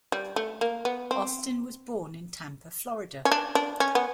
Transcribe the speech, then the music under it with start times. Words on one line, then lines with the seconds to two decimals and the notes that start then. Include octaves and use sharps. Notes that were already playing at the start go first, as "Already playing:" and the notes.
Austin was born in Tampa, Florida.
0.12 G3
0.36 A3
0.61 A#3
0.85 B3
1.11 C4
3.25 C#4
3.31 D4
3.55 D4
3.80 C#4
3.95 B3